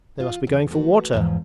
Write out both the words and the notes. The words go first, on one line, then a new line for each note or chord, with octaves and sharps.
'They must be going for water.'
F4
E2
A3 F#4 B4
E2 G#2 F3